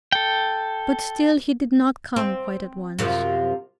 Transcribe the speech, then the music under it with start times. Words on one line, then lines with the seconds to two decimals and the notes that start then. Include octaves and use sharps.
But still he did not come quite at once.
0.12 A4 G5
2.16 C4
2.99 F#2 C3 F3